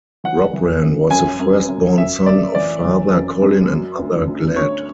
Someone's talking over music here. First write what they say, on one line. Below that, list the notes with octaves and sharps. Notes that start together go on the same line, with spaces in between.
Robran was the firstborn son of father Colin and mother Glad.
E3 F#5
E3
F#2
F#2 G#5
F#2
F#2
F#2 E5
F#2 D5
E3 D5
E3
F#2
F#2
F#3
D2
D2
D2 C#5